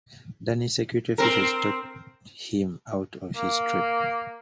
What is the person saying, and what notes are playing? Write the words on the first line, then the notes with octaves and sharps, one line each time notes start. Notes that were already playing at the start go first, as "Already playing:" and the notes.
Danish security officials talked him out of his trip.
C4 A#4
A#3